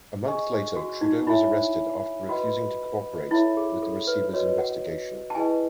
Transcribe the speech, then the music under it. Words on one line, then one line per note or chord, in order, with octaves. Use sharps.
A month later Trudeau was arrested after refusing to cooperate with the receiver's investigation.
G#4 D#5 G#5 C#6
F#4
D#4
E4 C#5 E5 G#5 B5
F#4 B4 D#5 F#5 B5
E4 A4 C#5 E5 B5
G#4
A4
B4
F#4 B4 C#5 D#5
F#5
A5
E4 G#4 B4 D#5 G#5